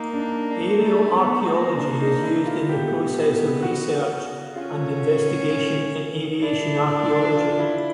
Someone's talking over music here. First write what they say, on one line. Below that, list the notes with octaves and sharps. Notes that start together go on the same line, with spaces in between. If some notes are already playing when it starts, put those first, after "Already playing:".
Aerial archaeology is used in the processes of research and investigation in aviation archaeology.
Already playing: A#3 D#4
D4
D4
D#4
A3
B3
A#3
D4
D#4
E4
F4
B3 G4
F#4
C#4 F4
F4
D4 E4
F4
E4